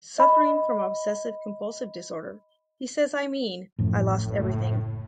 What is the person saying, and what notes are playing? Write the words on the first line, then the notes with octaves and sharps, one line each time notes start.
Suffering from obsessive-compulsive disorder, he says I mean, I lost everything.
D#5 B5
A1 F#2 A2 F3
F#1